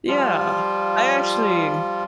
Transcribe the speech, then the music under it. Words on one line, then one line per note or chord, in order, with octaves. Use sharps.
Yeah. I actually
F3 G3 F4